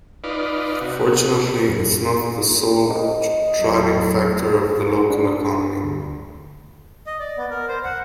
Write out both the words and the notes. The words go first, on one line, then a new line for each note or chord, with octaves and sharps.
Fortunately its not the sole driving factor of the local economy.
D#4 F4 B4 D5
C3 F#4
F#2
D#5
E2 F#3
D4
D2
D#5
D5
B3
A#4
C5
F#5